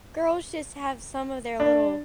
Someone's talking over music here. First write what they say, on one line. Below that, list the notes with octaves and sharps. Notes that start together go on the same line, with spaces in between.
girls just have some of their little
D4